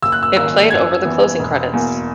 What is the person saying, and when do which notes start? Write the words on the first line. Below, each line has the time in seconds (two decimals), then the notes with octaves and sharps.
It played over the closing credits.
0.02 F#1 E6
0.12 F#6
0.23 E6
0.36 F#2 D#3 A#3 E6
0.70 F#2 G#6
1.05 E3 B3
1.39 E1
1.73 E2 B2 A#3